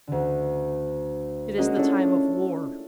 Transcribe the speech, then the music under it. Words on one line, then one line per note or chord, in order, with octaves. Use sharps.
It is the time of war.
D2 D3
G#3 A#3 C#4 D4 F#4 D#5
D4 E4 F4 A4 C#5